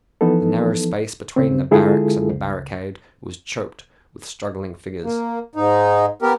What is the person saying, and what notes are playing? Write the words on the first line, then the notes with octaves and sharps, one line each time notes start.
The narrow space between the barracks and the barricade was choked with struggling figures.
E3 F3 B3 D#4 A4
D#2 C#3 C4
D3 G#3 E4 F4 G#4 A4
C#2
A#3
G#2 D#4
B3 G4 A#4